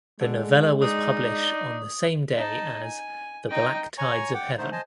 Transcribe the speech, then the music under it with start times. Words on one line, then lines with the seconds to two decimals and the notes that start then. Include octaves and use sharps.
The novella was published on the same day as "The Black Tides of Heaven".
0.21 D3 G#3
0.82 D4 D#4 D#6
2.36 D#4 A5
2.82 G#5
3.50 D#4 G5
3.98 C#5 G#5 A#5 C#6
4.34 F#5 G5 D6
4.58 D3 A3 D#4 C5
4.72 C5 D#5 G#5 A5